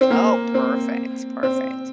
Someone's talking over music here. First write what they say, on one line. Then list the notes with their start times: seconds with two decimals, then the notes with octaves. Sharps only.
Oh, perfect, perfect.
0.01 C4
0.11 A#3
0.54 C4
1.43 C4